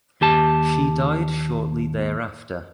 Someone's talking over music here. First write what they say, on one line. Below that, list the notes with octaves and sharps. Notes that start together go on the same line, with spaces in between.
She died shortly thereafter.
D#2 G4 A5